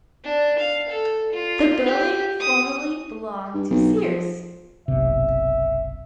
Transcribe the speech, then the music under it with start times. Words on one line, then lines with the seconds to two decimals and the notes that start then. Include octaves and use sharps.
The building formerly belonged to Sears.
0.24 D4
0.58 F5
0.89 A4
1.32 F4
1.86 G4
2.40 D#6
3.54 G2
3.71 B1
4.03 F3
4.88 F#1 B1 C3 E5